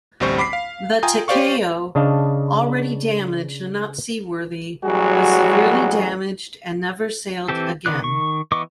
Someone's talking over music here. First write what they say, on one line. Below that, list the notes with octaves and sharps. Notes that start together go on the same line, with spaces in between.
The "Takao", already damaged and not seaworthy, was severely damaged and never sailed again.
A1 D2 G3 C4 C5 C#6
B5 D6 B6 C7
F5
F4 G5 G#5 A#5 D#6
G4 C5 D5 F5 C#6
C#3 D4 D#5 F5 A5
A1 F#3 G3 F#4 G#4
E3 C4 G4 A4
D#3 B3 D5 F#6
D#3 C#6
E3 B3 D#5 C#6 D6